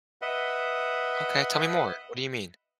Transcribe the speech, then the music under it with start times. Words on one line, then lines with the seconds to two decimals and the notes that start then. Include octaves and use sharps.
Okay, tell me more, what do you mean?
0.22 B4 D#5 E5 F#5